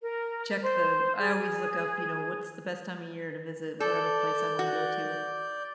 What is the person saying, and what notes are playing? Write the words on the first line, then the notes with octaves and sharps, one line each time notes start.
check th I always look up, you know, what's the best time of year to visit whatever place I wanna go to.
A#4
C5
G#4
A4 D5 G6
F#4